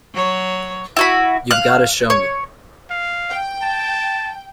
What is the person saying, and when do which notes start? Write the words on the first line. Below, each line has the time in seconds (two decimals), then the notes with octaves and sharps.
You've got to show me.
0.14 F#3 C#5
0.97 E4 F#4 B5
1.51 F5 F#6
2.10 C#5
2.90 F5
3.30 G5
3.62 A5